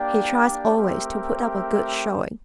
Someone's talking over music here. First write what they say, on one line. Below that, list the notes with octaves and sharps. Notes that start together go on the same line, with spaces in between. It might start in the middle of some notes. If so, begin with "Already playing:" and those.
He tries always to put up a good showing.
Already playing: A#3 D4 G4 D5 G5
A3 C4 G4 A#4 E5